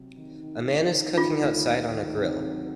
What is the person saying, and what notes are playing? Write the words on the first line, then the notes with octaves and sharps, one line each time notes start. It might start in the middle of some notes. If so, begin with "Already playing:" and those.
A man is cooking outside on a grill.
Already playing: C3 F#3
D#3
D#3
D#3
D#3
D#3 F4
D2
D2
D#3
C3
F#3